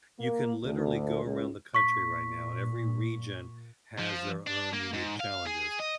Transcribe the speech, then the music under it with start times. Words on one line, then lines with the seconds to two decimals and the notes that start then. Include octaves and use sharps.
You can literally go around the country right now, and every region has their own unique challenges.
0.20 A#3
0.63 D2
1.24 C#2
1.75 A#2 C#6 B6
3.99 F3
4.47 D4
4.74 A#3
4.94 G#2
5.20 F5
5.47 G#4
5.80 D#5